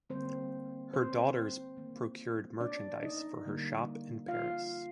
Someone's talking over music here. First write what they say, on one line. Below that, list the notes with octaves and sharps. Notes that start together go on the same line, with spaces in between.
Her daughters procured merchandise for her shop in Paris.
D3 G3 A#3 C4 C5
C4 C5
D#3 A#3
D4 D5
D#4 D#5
D3 G3 A#3
F4 F5